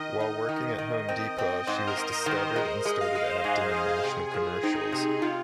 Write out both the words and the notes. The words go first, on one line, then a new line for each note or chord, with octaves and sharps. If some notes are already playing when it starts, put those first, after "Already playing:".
While working at Home Depot, she was discovered and started acting in national commercials.
Already playing: D#3 D#5
D#4
D#3
D#3
C4
C4
G#2 C5
A#4
G#2
A#4
D#3 C5
G#3
G#3 D#5
F5
G#3 D#5
C5
G#2 G#4
G#2
C3 G#4
F3
C4 D#4
C3
C3 F4